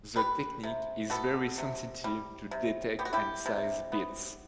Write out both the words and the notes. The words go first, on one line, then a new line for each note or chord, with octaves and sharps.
The technique is very sensitive to detect and size pits.
G3 G4 B4
C3
B3 F#4 A4
C3
G3
C3
B3 G4
F#4
E4 G4
C3
B3